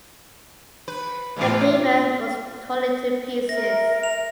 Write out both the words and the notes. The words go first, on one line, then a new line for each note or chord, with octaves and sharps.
The paper was torn into pieces.
B4
E2 A2 C3 F4 D5
A#4 E5 A#6
F7